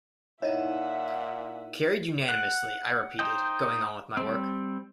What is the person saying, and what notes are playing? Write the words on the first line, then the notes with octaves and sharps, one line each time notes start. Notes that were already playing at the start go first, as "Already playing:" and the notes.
"Carried unanimously," I repeated, going on with my work.
A#2 D#4 E4 C#5 D#5 E5 F#5
F#5
D#4 C5 D#5 G5
G3 C4